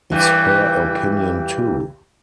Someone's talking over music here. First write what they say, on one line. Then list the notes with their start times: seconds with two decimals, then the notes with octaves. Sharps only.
It's her opinion too.
0.11 G2 E3 G3